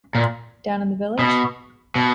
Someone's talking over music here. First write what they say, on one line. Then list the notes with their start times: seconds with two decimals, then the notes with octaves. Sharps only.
Down in the village?
0.15 A#2
1.19 B2
1.96 B2